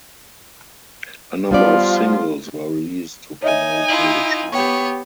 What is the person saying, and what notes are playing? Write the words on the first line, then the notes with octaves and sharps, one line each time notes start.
A number of singles were released to promote ‘’David Shaw’’.
F3 G3 B3 F4 D5
D#4 C#5 D#5 E5 G#5
E4 F4 F#7
B3 G4 C#5 G5 C#6